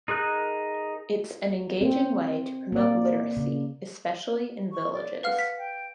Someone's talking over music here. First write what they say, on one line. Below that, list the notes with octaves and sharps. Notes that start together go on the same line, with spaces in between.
It's an engaging way to promote literacy, especially in villages.
D#4 G#4 A#4 F#6
C4
A#3 D5
C#3
C#6
D5
B4 F5 F#5 F6
B6
G5